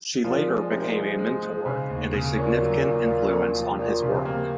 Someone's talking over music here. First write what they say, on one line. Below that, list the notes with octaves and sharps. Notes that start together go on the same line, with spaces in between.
She later became a mentor and a significant influence on his work.
A#2 F3
G#3
A#2
C3 D#4
A#2
G#2 G#3
G#3
G#3
C#3
D#2
C#3
A#2 C#4
F#3
D#2
F4
A#3
F3
A#2 F3
C#3
C3
A#3